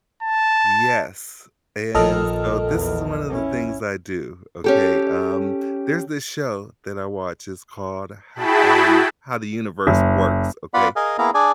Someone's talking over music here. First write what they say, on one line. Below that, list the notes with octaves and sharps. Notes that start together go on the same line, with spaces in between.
Yes, and so this is one of the things I do, okay? Um, there's this show that I watch, it's called Ha um, How the Universe Works, okay?
A5
A#1 F2 A#2 D#3 F3 A4 D#5 F6
E2
C#4 E4
C#4 G4 A4
E4 F#4 G#4 G5 A5 B5
F#1
B3 F4 D5 F5 F#5 B5
G#4 A#4 D#5 F5 G#5
A#3 B3 E4 G#4 F5 A#5
D4 G#4 D5 G#5